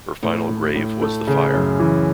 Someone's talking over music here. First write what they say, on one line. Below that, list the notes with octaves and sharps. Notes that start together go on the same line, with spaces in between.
Her final grave was the fire.
A2
A2
A2
A3
C#3
F#2
E3